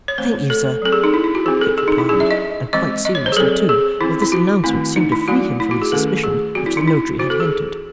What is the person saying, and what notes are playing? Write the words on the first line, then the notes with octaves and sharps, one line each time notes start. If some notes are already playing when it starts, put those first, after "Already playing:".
'Thank you, sir,' Kit replied; and quite seriously too, for this announcement seemed to free him from the suspicion which the Notary had hinted.
C#5
E3 A3 C4 C5
A4
F#3 C4 A4
G#4
D#4
E4
E4
F#4
E3 C4 G#4
A4
G#4
D#4
E4
F#3 C#4 G#4
E5
D#5
E3 G#3 C4 D#5
D#5
C#5
C5
G#4
F#3 C4 A4
G#4
E3 C4 E4
E4
F#4
D#3 A3 C4 E4
D#4
E4
F#3 A3 C4 F#4
E4
F#4
G#4
D#3 A3 C#4 A4
G#4
F#3 C4 F#4
E4
D#4
E4
E3 C4 F#4
A4
G#4